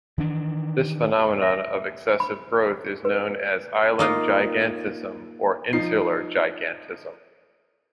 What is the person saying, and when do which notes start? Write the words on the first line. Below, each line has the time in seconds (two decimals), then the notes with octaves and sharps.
This phenomenon of excessive growth is known as island gigantism or insular gigantism.
0.18 D#3 E3 D4
1.42 E5
2.20 B5
3.05 B4
3.99 A#3 D#4 F4
5.73 F3 D#4 C7